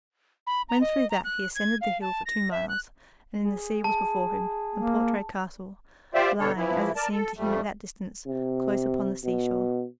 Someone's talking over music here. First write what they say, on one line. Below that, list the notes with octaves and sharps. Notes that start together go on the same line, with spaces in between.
When through that he ascended the hill for two miles, and then the sea was before him, and Portray Castle, lying, as it seemed to him at that distance, close upon the sea-shore.
B5
A#5
D#5
A#5
F#6
G#6
F5
A5
A#6
E5
F#6
G#4
A5
A#3
F4 G4 C5 D5 E5
D2 B2 D3 D4 A4 C#5
E3 F3 E4
A#4 D5 A5
A4
F2 G3 A3
C3
B2